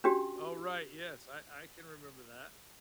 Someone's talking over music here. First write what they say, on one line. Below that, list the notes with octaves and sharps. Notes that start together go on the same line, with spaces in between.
Oh, right, yes, I I can remember that.
C#4 D4 F#4 G4